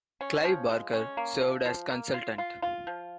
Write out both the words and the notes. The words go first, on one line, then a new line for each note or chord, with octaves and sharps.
Clive Barker served as consultant.
C#4
F3
G#3
C#4
A#3
F3
F3
A#3
F4
F4
F4
F3